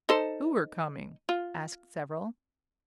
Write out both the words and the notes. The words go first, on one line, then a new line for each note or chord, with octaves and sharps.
"Who are coming?" asked several.
D#4 A4 C5
F4